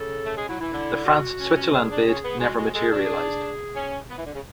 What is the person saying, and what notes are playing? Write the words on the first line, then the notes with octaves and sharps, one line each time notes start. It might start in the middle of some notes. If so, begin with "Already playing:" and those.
The France-Switzerland bid never materialized.
Already playing: C#3 A4
A3
G#3 G#4
F#3 E4
E3 E4
D3
F#4
C#4
C#4
F#4
D4 G#4
D4
C#4
B3
G#3 F#4
G#3 F#4
G#3 A4
G#4
D4 F#4
G#4
C#4
B3
E3
D3
C#3